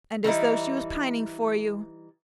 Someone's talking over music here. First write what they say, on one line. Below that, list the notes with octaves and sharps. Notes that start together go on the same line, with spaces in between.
"And as though she was pining for you."
E3 G3 D#4 E4